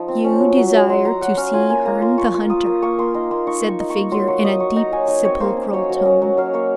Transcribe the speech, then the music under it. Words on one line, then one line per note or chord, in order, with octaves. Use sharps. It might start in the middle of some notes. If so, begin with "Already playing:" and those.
"You desire to see Herne the Hunter," said the figure, in a deep, sepulchral tone.
Already playing: F3 D#4
C4
C#4
F#3
F#3
F#3
F#3 C6
F#3 A#5
F#3 F#5
C#4 F5
F4 G#5
A#3 G#5
A#3 A#5
F4 C6
F4 C#6
F4
A#3 D#6
A#3
A#3 C#6
A#3 C6
D#4 C6
A#3 C6
D#4 C#6
D#4
C#6
D#4
C#6
A#3
F#3 C6
F#3 C#6
D#4 D#6
F#3 C#6
D#4 A#5
F#3 G#5
D#4 G#5
C4 C#5
A#3 C5
C#4
F#3 C#5
F#3
C#4 D#5
F#3
F#3 F5
A#3 C#5